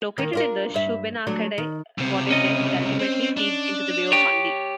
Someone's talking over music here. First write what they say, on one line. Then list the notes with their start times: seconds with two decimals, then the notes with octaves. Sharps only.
Located in the Shubenacadie watershed, it ultimately feeds into the Bay of Fundy.
0.18 D#3 A#3
0.33 D4 F4 A#4
0.74 G2 E5
1.27 F#3 A3 D4
1.58 D#3
1.98 C#2 C3
2.31 C#4 D#5
2.99 C4
3.37 D4
4.12 G4 C#5